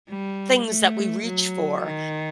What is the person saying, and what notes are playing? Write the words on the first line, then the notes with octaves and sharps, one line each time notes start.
things that we reach for,
G3
A3
F#3
D#3